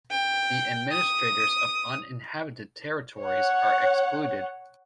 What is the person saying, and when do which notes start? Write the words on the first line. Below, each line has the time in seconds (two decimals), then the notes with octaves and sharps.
The administrators of uninhabited territories are excluded.
0.11 G5
0.92 D#6
3.21 C#5 F#5